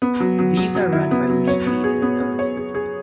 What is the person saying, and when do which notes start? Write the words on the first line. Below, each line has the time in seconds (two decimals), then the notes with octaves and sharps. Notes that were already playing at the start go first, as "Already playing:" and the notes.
These are run by League leaders and owners.
0.02 B3
0.20 F#3
0.39 F#3
0.57 F#3
0.75 F#3
0.93 E4
1.11 B3
1.30 F#3
1.47 C#5
1.66 B3
1.84 G#4
2.02 B3
2.20 B3
2.39 C#5
2.57 G#4
2.75 G#4